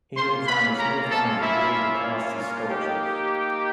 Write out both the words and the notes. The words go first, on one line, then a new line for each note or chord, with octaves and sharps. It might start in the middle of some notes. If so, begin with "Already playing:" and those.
Here he found a small foundry willing to cast his sculptures.
A#3 C#4 F4 C5 C6
B4 B5
A#4 A#5
A4 A5
E4 E5
A#3 D#4 G4